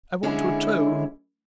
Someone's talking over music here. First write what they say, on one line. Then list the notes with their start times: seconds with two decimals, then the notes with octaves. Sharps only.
I want to atone.
0.23 D3 G#3 C#4 E4